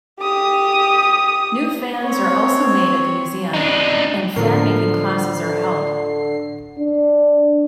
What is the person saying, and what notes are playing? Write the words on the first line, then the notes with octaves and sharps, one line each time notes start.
New fans are also made at the museum, and fan-making classes are held.
G4 D#6
C4 C#5
D4 D#4
A2 D3 F3 A#4 C7
D4